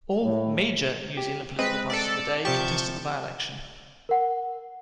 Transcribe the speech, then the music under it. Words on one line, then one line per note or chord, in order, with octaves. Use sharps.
All "major" New Zealand political parties of the day contested the by-election.
A2
G4
G#3 C4 B4 D#5
A4 D5
C3 F3 G4 A5 C#6 G6
A#4 F#5